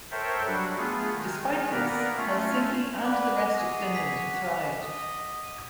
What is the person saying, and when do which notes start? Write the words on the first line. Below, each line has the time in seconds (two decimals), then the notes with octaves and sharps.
Despite this, Helsinki and the rest of Finland thrived.
0.11 A4 A#4 C5 C#5 E5 G5
0.46 F#3 G3 D4 F#4
0.77 A3 B3 F4 G#4
1.12 D#3 G#3
1.71 A#3 B3 A#4 B4 D5 A#5
2.17 A3 C#4 F4
3.05 B4 D5 F#5 D6 F#6
3.50 F#4 G#4 A#6
3.95 B6
4.75 D#5